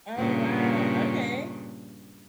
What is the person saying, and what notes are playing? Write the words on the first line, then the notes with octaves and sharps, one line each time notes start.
Oh, wow, okay.
G2 A#2 C#3